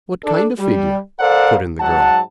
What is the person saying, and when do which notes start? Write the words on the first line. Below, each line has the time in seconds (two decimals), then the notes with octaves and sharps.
"What kind of figure?" put in the girl.
0.24 D4 A4
0.59 G3
1.20 A4 A#4 C5 D5 F5 F#5
1.80 G#2 F#3 F#5 A5